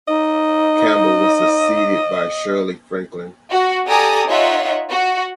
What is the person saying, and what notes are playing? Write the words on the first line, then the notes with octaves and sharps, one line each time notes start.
Campbell was succeeded by Shirley Franklin.
D#4 D#5
F#4
G4 A4 D5 G#5 A#5 D#6
D#4 F4 C#5 D#5 E5 F#5
F#4